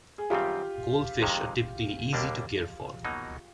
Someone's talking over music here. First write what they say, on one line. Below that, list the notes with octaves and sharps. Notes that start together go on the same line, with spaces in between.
Goldfish are typically easy to care for.
G#4
F#2 D#3 G3 C4 F4 G4
F2 C3 D#3 G#3
D#2 D3 G3 A#3 D4
B2 F#3 A#3 D#4